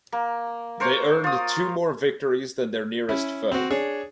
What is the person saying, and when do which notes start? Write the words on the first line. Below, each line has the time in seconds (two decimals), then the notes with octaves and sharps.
They earned two more victories than their nearest foe.
0.12 A#3
0.80 A#4 C5 C#5 A#5
1.24 F4 D#6
3.09 C#4 E4
3.52 C4 F#4
3.70 D4 G#4 C#5